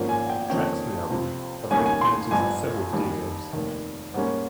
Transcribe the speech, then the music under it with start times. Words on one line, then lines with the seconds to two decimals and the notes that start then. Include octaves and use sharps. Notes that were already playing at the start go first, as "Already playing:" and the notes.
Tracks from the album have made appearances in several video games.
Already playing: G#1 G#2 F3 A#3 C#4
0.09 G#5
0.29 G5
0.50 F2 C3 D#3 A#3 C#4 G5
1.10 C#2 C3 F3 C4
1.71 D#2 D#3 G3 A#3 C#4 G#5
1.86 G#5
2.01 C6
2.31 G1 G2 F3 G#5
2.92 D#2 D#3 G3
3.53 F1 D#2 D#3
4.14 G#2 G3 A#3 C#4